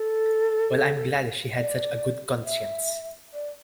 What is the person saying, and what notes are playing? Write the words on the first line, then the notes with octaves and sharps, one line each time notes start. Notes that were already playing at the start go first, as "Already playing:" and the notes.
Well, I'm glad she had such a good conscience.
Already playing: A4
D5
E5
D5